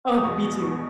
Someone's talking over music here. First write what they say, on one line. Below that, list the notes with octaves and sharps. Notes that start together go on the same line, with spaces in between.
Oh, me too.
D#6
E2 B2 G#3 B3 C#6
C#6